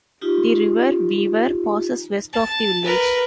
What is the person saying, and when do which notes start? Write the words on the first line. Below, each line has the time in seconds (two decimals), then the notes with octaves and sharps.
The River Weaver passes west of the village.
0.21 D#4 F4 G4
2.33 A5
2.84 A#4 B4